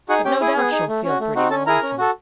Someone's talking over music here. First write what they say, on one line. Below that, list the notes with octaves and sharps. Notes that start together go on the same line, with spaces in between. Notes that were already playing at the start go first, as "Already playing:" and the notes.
But no doubt she'll feel pretty lonesome.
D#4 F#4 G#4 F#5
C#4 G4 G5
E4 G#4
B3 G#4 G#5
D#4 G#4
A3
C#4 F#4
A3
C4 D#4 F#4
C#4 A4 A5
E4 G#4 A#4 A#5
C#4
F#4 A4